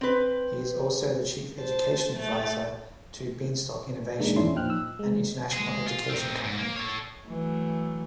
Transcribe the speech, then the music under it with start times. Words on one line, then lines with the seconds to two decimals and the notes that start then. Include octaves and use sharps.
He is also the Chief Education Advisor to Beanstalk Innovation, an international education company.
0.01 C4 B4
1.57 C5 A5
2.18 A3 A6
4.19 A#2 D#3 G#3 D4 D#4
4.36 G1 E2 C#4 D4 E4 C6
4.55 A#2 F3 D#4 G5 F6 F#6
4.70 E6
4.99 G#3
5.52 G#3 G#4
5.86 F4
6.10 C4 D#4
6.44 G#2
6.58 A#3
6.76 A4 C#5
7.26 E3 F#3 A3